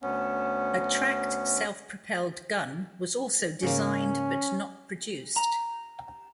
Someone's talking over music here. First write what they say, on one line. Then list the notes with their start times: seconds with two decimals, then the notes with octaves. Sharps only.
A tracked self-propelled gun was also designed but not produced.
0.02 D2 B3 C#4
3.63 G#2 C#3 A#3 C#4
5.36 A#5